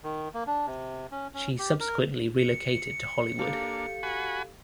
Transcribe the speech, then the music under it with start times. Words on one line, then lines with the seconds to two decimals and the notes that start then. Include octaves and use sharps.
She subsequently relocated to Hollywood.
0.04 D#3
0.34 A#3
0.47 D4
0.67 C3
1.12 C#4
1.34 C#4
1.59 G4
1.80 A#4
2.38 C#7
3.39 A#3 D4 G4 A4 F5
4.03 F#4 G#5 B5